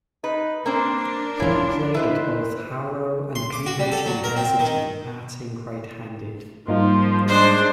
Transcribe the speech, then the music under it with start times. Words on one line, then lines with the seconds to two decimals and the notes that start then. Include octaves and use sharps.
He played at both Harrow and Cambridge University, batting right-handed.
0.24 D#4 B4
0.66 A#3 C4 D4 A#4 C5
1.40 C#4 E4 F4
1.94 D#3 E4 B4 C5
3.35 C6
3.53 D6
3.66 F#4
3.79 G3
3.92 A4
4.06 F#3
4.24 A#4
4.36 C4
4.59 D#3
6.68 G#2 F3 G3 A#3 D#4 F4
7.28 G#3 D4 C5